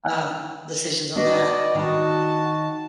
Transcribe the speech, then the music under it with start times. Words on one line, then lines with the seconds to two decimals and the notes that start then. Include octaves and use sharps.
um, decisions on that,
1.16 D4 F#4 B4 D5 D#5
1.75 D#3 F#4 D#5 A5